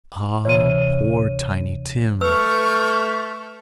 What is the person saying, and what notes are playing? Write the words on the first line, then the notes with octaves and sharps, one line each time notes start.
Ah, poor Tiny Tim!
D2 C3 E3 C#5 D#7
A3 B4 C#6 E6 F6 G6